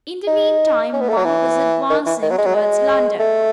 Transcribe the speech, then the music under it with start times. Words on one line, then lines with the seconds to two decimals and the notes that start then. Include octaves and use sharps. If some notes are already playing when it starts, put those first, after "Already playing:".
In the mean time Monk was advancing towards London.
0.27 D#4
0.93 C#4
1.01 B3
1.09 A3
1.17 F#3
1.25 E3
1.90 D#3
2.06 E3
2.22 D#3
2.31 F#3
2.38 G#3
2.46 F#3
2.55 G#3
3.19 A3